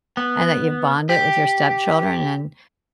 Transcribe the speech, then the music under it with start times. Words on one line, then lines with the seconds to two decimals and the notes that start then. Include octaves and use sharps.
and that you've bonded with your stepchildren and,
0.17 B3
1.09 G4